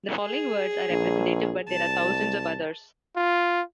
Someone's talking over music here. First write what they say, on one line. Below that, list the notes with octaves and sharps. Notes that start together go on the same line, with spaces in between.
The following words are representative, but there are thousands of others.
G#4
A#1
C2 A5
F4